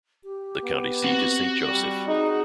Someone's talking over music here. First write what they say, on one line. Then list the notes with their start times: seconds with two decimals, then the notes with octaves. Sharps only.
The county seat is Saint Joseph.
0.24 G4
0.63 B3
1.04 C4 F#4 F#5
1.68 G3
2.07 D#4 G#4